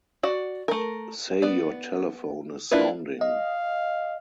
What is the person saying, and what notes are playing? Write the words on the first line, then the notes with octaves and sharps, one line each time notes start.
Say your telephone is sounding.
F#4 D5 F#5
A3 A#4
B3 D5
A#3 D4 E4 F4 B4
D#5 F5